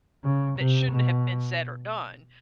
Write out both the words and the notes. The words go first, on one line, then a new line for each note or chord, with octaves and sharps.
that shouldn't have been said or done,
C#3
C3
B2